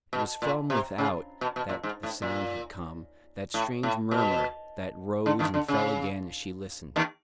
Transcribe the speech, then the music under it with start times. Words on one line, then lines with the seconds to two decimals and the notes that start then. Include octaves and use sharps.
It was from without that the sound had come, that strange murmur, that rose and fell again as she listened.
0.13 B2
0.42 A#2
0.70 C3
0.98 C#3
1.41 B2
1.56 B2
1.69 A#2
1.83 G#2
2.03 A2
2.22 A#2
3.54 A2
3.83 A2
4.11 B2
5.26 D3
5.39 D#2 D#3
5.54 D3
5.68 C#3
6.96 D#2 D#3